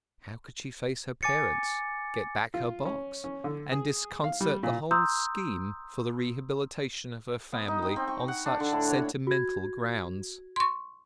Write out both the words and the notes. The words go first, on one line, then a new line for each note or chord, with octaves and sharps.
How could she face her parents, get back her box, and disconcert the whole scheme for the rehabilitation of her family on such sentimental grounds?
G#5 D6 A6 C#7
F4
C#4
C#4
D3
G#4
F5
G3
A#2
A#5 C6 D#6 E6 G6
B3
D#4
G5
C4
C#6
F#5
D4
D3
A2
C#5
F#4 G#6
C6 C#6